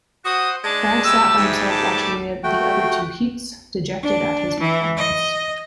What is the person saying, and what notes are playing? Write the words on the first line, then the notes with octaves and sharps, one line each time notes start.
Cragg sat by himself watching the other two heats, dejected at his performance.
F#4 C5 F#5 D#6
G#3 D4 A5
G3 A3 E6
G#2 E5
A5 D6
A3 F#4 G5
D4
E3
D#5